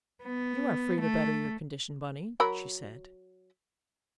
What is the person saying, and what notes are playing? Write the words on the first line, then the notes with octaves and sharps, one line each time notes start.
"You are free to better your condition, Bunny," she said.
B3
A3
F#3 A#4 B5